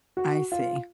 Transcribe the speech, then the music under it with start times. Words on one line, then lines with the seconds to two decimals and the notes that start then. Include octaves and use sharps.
I see.
0.17 F#4
0.52 F4